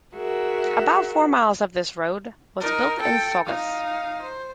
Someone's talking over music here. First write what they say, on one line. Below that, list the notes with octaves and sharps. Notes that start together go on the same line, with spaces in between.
About four miles of this road was built in Saugus.
F#4 G#4 A#4 E5
D#4 A#4
A4 G5
D#4 F5
C5